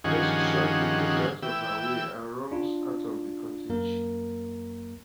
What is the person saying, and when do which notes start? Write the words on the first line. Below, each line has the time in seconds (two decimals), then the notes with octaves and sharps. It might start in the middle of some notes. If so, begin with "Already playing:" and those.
Bessy shoves the closest out of her way and runs out of the cottage.
0.04 G2 D#3 F3 C#4 G#4 F#5
1.43 E3 G5 E6
2.52 D4 F4
3.69 F#2 A#3 A#4